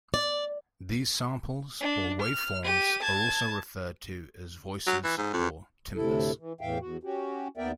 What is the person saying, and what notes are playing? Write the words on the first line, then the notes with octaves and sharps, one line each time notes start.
These samples or waveforms are also referred to as voices or timbres.
D5
D4
F6
G4 D#7
A5 G#6
F#3
E3
G#2
F2
D2 A2 C3 E4 A4
E3
E2 A2 E3 E5 F5 G5
E2 F#4
C#4 F#4 G4
D#2 B3 A#4 D5 E5 G5